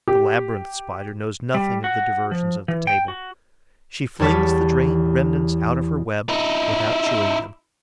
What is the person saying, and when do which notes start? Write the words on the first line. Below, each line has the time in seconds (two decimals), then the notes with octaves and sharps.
The Labyrinth Spider knows nothing of the diversions of the table; she flings the drained remnants out of her web, without chewing them.
0.08 G4
1.54 G3
1.84 F#4
2.31 F3
2.68 E3
2.87 G5
3.08 F#4
4.19 E2 G3 C#5 A5 B6
6.29 D#4 E4